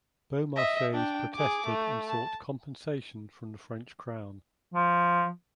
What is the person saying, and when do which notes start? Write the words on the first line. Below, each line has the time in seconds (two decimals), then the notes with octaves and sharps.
Beaumarchais protested and sought compensation from the French Crown.
0.56 D#5 E5
0.93 D4 G5
1.34 G#4 D6
1.66 A3
2.08 A5
4.74 F3